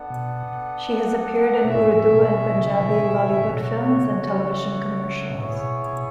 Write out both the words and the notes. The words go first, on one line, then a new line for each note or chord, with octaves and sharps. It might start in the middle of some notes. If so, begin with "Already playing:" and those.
She has appeared in Urdu and Punjabi Lollywood films and television commercials.
Already playing: B3 D4 A4 D5 F#5
B2
B2 A3 E4 G#4 C#5 E5
A2
A2
B2
C#3
B2 D3
C#3
B2
C#3
A2
B2 A3 D4 F#4 C#5
C#3
B2
A2 B3 E4 G#4 C#5
A2
B2
B2